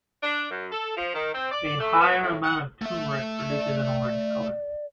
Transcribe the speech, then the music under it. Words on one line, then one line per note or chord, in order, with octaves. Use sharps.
A higher amount of turmeric produces an orange color.
D4
F#2
A4
F3
D#3
C4
D5
A3
B3
A2
F#5
A3 E5
D5